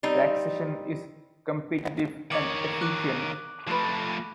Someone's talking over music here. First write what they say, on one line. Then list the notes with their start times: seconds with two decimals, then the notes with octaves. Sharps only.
Taxation is competitive and efficient.
0.03 G3 C4 D#4
2.31 D#3 C#5 D6 F#7
2.81 D6 F#6
3.67 F3 A3 F4 B4